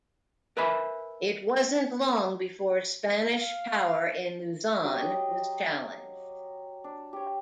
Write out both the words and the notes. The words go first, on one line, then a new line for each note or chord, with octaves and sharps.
It wasn't long before Spanish power in Luzon was challenged.
A#4 B4 E5 G#5 B5
F5
F#3 G4 D#5 D#6
D4
G4 C#5